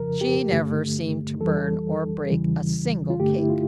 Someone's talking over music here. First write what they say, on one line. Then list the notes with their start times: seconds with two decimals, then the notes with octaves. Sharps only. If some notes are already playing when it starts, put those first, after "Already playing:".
She never seemed to burn or break a single cake.
Already playing: F2 C#3 F3 A#4
0.21 G4
0.51 G2 D3 A3
1.40 F2 E3 G3 A4
2.30 E2 C#3 E3 G3
3.10 F4
3.20 G2 D3 A3 G4
3.38 E4
3.50 F4